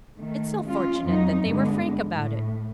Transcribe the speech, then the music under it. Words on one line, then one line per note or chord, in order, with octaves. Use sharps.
It's so fortunate they were frank about it.
D#3 A3
G#3 C#4 F4
F2 F#3 D#4
G2 D3 G#3 B3
A2